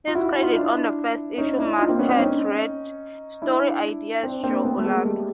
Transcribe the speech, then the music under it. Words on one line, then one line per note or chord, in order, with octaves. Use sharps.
His credit on the first issue masthead read: Story Ideas: Joe Orlando.
F4
E4 F#4
E4 F#4
D#4 F4
D4 E4
C#4 D#4
D4 E4
D#4 F4
A#3 C4
B3 C#4
C4 D4
C#4 D#4
D4 E4
C4 D4
A#3 C4
A3 B3
A3
G#3 A#3
G3 A3